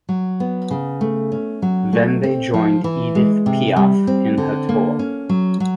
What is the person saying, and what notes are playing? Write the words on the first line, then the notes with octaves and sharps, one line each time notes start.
Then they joined Edith Piaf in her tour.
F#3
B3
C#3
A3
C#4
F#3
A3
C4
F3
E3
G#3
C3
G3
C4
D3
A#3
C#4
F#3
F#3